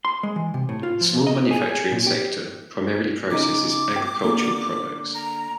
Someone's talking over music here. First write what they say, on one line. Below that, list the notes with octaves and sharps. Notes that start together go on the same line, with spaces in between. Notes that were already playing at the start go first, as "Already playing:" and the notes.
The small manufacturing sector primarily processes agricultural products.
C6
G#3
E3
C3
A2
F4
F3
D#5
G#4
G#4
A#2
G4
C#3 D#4 D6
G5
D3 A#3 A4
A#5